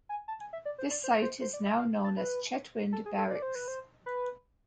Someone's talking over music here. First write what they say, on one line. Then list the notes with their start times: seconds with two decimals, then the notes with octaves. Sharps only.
This site is now known as Chetwynd Barracks.
0.09 G#5
0.28 A5
0.41 G#5
0.53 E5
0.65 D5
0.78 C5
0.90 D5
1.04 C5
1.22 C5
1.41 C5
1.53 D5
1.66 E5
1.79 F5
2.04 A5
2.17 B4
2.92 A4
3.06 G#4
3.18 A4
3.30 D5
3.42 C5
3.55 B4
3.68 C5
4.06 B4